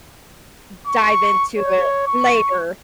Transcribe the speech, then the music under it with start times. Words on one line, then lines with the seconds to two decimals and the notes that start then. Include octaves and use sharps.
m dive into it later,
0.88 C#6
1.58 C#5
2.07 C#6